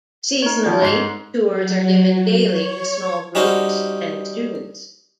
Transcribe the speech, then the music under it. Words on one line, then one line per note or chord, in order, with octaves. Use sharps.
Seasonally, tours are given daily to small groups and students.
D#4 C#5
F3
G#2 C7
F#3
C#5
G3 C#4 D#4 F#4 C5